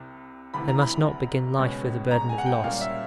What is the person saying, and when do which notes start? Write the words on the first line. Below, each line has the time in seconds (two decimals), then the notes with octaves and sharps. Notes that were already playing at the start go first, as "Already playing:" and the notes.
They must not begin life with a burden of loss.
Already playing: C2 C3
0.54 D2 C3 E3 B5
0.68 A#5
0.81 B5
1.59 C#2 B2 G#3 C#4
2.11 A#5
2.29 G#5
2.38 F#5
2.46 G5
2.64 A#2 G3 A#3 C#4 F5
2.81 E5